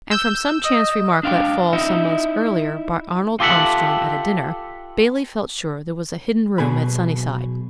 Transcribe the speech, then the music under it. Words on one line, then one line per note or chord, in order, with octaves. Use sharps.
And from some chance remark let fall some months earlier by Arnold Armstrong at a dinner, Bailey felt sure there was a hidden room at Sunnyside.
E6 G6
D#5
D4 F5 G5
D#4 E4 D#5 E5
F4 G4 A4 D5 E5 F#5
B1 B2 G#4 B5